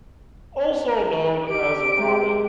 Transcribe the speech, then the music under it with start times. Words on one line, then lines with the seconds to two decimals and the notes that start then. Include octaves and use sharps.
Also known as Robin.
1.49 G4 D7
1.98 G#3